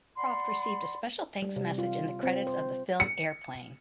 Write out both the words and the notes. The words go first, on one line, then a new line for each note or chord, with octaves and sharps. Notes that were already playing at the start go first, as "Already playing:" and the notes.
Proft received a special thanks message in the credits of the film Airplane!
D5 F#5 B5 C6
G3
C3
F4
C4
C5
C#7